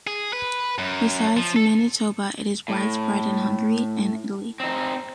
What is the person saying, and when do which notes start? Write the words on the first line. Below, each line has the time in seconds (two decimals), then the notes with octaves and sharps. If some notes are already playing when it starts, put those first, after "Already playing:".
Besides Manitoba, it is widespread in Hungary and Italy.
0.07 G#4
0.33 B4
0.78 F#2
1.37 F3
1.56 A4
2.68 A2
4.60 C4 D#4